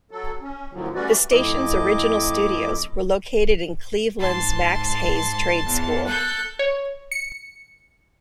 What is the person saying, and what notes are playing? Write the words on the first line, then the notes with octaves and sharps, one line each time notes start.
The station's original studios were located in Cleveland's Max Hayes Trade School.
F#3 A4
C#4
F#2 A2 D3 F3 F#3
G3 A3 C#4 F#4 B4 D5
F2 A3 E4 D#5 D6
G#2 A5 C6
E2
A4 F#6 G6
C#5
C#7